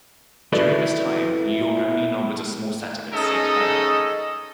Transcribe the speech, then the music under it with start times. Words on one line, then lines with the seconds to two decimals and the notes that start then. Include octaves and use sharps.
During this time, New York only numbered a small set of its state highways.
0.53 E4 F#4 A4 B4 D5
3.13 C#4 D#4 G#4 A4 D#5